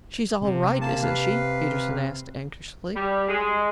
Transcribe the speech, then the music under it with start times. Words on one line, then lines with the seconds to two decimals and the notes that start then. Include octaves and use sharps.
"She's all right, isn't she?" Peterson asked anxiously.
0.41 C3
0.81 A#3 A5
1.02 B4 F5
2.95 G3
3.28 G#3